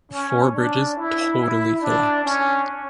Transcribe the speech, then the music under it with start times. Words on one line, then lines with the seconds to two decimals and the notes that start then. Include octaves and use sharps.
Four bridges totally collapsed.
0.12 C#4
0.54 D4
0.97 E4
1.39 E4
1.82 D4
2.24 C#4